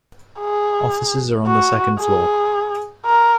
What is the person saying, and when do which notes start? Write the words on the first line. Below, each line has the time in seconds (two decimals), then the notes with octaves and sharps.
Offices are on the second floor.
0.39 G#4
1.46 F#4
1.99 G#4
3.06 A#4